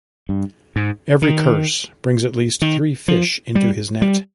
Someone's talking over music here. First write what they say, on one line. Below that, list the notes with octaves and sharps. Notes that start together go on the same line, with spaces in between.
Every curse brings at least three fish into his net.
G2
G#2
D#3
D#3
F3
G3
G3